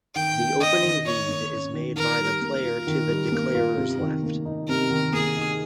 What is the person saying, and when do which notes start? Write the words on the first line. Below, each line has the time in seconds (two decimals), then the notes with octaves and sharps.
The opening lead is made by the player to the declarer's left.
0.15 D#3 G5
0.38 A#3
0.60 C#4 D#5
0.83 D#3
1.06 D#3 C#5
1.28 A#3
1.51 C#4
1.74 D#3
1.96 D#3 A#4
2.20 G3
2.41 A#3 A#4
2.65 F4
2.87 D#3
3.10 G3
3.32 A#3
3.55 F4
3.77 C3
4.00 D#3
4.23 A#3
4.45 D#4
4.69 C3 A#4
4.91 D#3
5.13 A#3 G#4
5.36 D#4